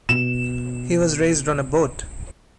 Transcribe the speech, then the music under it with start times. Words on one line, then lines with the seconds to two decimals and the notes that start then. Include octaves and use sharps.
He was raised on a boat.
0.09 B2 E7